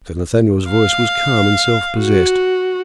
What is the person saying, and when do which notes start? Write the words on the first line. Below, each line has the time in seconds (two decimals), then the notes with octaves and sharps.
Sir Nathaniel's voice was calm and self-possessed.
0.71 F5
1.99 F#4